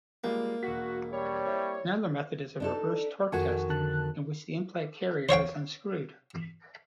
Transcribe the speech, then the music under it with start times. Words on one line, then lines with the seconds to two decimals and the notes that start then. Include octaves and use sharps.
Another method is a reverse torque test, in which the implant carrier is unscrewed.
0.24 F3 G3 G#3 A#3
0.63 E1 F#4 B6
1.12 G3 C#5
1.45 C4 E4 C5 C#5
2.60 D4 D#4 A4
3.32 F2 D#3 F#4 F#5 G#5 C#6
3.70 D3 A5 F#6
5.29 C5 C#5 F5 G5